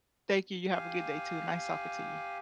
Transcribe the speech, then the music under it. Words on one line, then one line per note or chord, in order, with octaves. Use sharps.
Thank you, you have a good day too, nice talking to you.
G4 F5 G#5